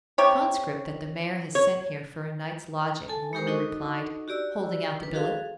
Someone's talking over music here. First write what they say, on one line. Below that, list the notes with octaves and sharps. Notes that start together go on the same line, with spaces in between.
"A conscript that the mayor has sent here for a night's lodging," the woman replied, holding out the billet.
C3 G4 C#5
C#5
A4 G#5 A5
G#3 D#4 G4 A#4 C5
D4 D#4 F#4 A4 D#5 C#6
F#4 G4 D5 E6
D4 B4
F#4 G#4 A4 F5